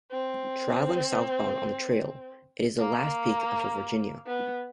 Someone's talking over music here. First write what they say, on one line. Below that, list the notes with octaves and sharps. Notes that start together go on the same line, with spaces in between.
Traveling southbound on the Trail, it is the last peak until Virginia.
C4
A#3
B3